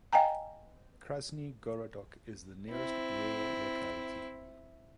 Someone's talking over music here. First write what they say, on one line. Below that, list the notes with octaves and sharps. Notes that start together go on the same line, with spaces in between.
Krasny Gorodok is the nearest rural locality.
D#5 F5 G5 G#5 A#5
C4 E4